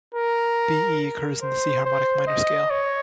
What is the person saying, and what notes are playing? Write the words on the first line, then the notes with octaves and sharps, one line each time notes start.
B-E occurs in the C harmonic minor scale.
A#4
C5
C5
D#5
C#5